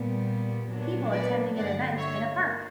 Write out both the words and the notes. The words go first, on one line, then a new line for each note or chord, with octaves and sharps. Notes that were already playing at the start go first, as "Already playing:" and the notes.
People attending an event in a park.
Already playing: A#2 G3 B3
A#2 F#3 B3 D4
B4 D5
G2 D3 F#3 D5 F#5
C#5 E5
A#3